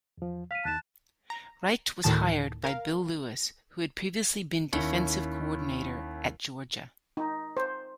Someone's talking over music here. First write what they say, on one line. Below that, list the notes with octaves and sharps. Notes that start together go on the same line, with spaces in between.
Richt was hired by Bill Lewis, who had previously been defensive coordinator at Georgia.
E2 F3
F5 F6 B6 D#7
D#2 D#3 A5 F#6 E7
A#5
D2 A2 D#3 A5 A6
A#4 F5
D#2 C#4 E4 C#7 G7
D#4
C5